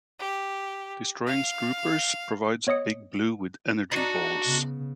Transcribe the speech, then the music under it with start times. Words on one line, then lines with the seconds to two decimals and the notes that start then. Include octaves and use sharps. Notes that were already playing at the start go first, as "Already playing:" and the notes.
Destroying Stroopers provides Big Blue with "energy balls".
0.19 G4
1.26 F5
2.67 B3 C#5 D#5 D#6 C#7
3.91 D4 D#4 F#4
4.46 C#3 B3